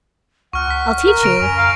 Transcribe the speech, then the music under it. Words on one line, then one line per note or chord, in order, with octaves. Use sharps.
"I'll teach you."
C#2 F#5 C#6 F6
B6
A#4
C#3 A#6 D7 F7
F#2 G#5
F5 A#5